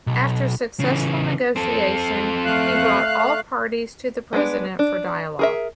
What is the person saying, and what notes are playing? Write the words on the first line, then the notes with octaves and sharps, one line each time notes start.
After successful negotiation, he brought all parties to the President for dialogue.
B1
C#3 E3
C4 A4
A3 F5 F#6
G#3 B3 D4
D4
G#4 A#4 E5